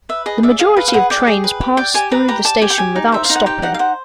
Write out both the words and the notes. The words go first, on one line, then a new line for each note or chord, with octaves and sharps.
The majority of trains pass through the station without stopping.
B4 E5
G#4 D#5
D5 E5
G#4 F5
B4 F5
F5
G#4 F#5
D5 G5
G#4
B4
G4
D5 G5
G4 G#5
B4 A#5
G4 A#5
D5 A5
G4 G#5
G5
G4 G#5
D#4
C5 E5
F5
D#4
F#5
G4 G5
D#4 F#5
F5
C5 F#5